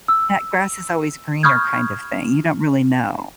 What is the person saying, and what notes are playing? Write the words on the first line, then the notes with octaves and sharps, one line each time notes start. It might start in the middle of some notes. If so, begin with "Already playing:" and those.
that, "grass is always greener kind of thing," you don't really know.
E6
B5 C#6 D#6 F6 G6 G#6